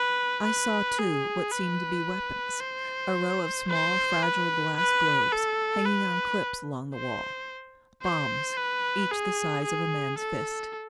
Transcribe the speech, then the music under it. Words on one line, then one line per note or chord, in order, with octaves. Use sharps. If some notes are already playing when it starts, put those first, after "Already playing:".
I saw too, what seemed to be weapons: a row of small fragile glass globes, hanging on clips along the wall--bombs, each the size of a man's fist.
Already playing: B4
B4
G#4
B4
C5
C5
B4
B4
A4
B4
C5
C5
B4
G#4
G#4
A4